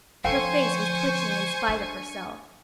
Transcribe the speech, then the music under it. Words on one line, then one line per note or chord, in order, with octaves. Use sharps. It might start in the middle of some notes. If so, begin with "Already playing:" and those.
Her face was twitching in spite of herself.
D3 F3 A4 C5 F5 G5 G#5 C#6
D4